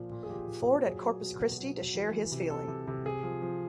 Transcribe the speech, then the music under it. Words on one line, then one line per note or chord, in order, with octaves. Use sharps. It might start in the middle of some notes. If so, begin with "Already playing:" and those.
Ford at Corpus Christi to share his feeling.
Already playing: A#2 F3
A#2
G#4
F3 G4
A#2
A#2
F#3 G#4
F#3
B2
B2
F#3
F#3
E3
E3
C3
C3 A4
C3
C3
C3 G#4
F3
F3